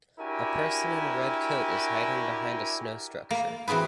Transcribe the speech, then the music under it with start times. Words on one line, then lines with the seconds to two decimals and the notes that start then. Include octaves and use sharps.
A person in a red coat is hiding behind a snow structure.
0.19 D4 E4 F#4 G4 A#4 G#5
3.31 A#3
3.68 E3 C4 F#4 G#4 B4